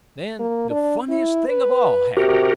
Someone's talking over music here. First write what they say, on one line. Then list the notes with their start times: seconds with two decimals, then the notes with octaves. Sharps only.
Then the funniest thing of all happened.
0.40 A#3
0.70 D4
1.09 E4
1.48 B4
2.17 C3 F#4 G4 A#4